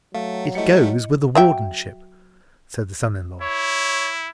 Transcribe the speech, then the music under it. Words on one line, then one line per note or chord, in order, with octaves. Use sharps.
"It goes with the wardenship," said the son-in-law.
F#3 A3 F5
G3 A3 E4 D#5 C#7
F#3 E5 G5
E4 C#5